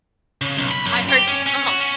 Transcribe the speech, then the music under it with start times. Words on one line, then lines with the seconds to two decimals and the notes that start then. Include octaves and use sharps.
I heard the song.
0.42 C#3
0.58 B1
0.71 B5
0.86 F#2
1.09 G4
1.27 C#4
1.47 C#4
1.67 F#4
1.80 C#4